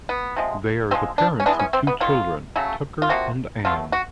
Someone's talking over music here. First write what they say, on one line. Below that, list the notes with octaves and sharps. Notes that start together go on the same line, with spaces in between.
They are the parents of two children: Tucker and Anne.
B3
C3 F3 G#3
D3 F3 G#3 C4
D4
C#4
E3 G#3 B3 D4
C#4
C4
B3
D#3 F#3 A#3 F4
C#3 F#3 A3
F4
C3 F3 A#3 F#4
B2 F#3 A3 F4
F#4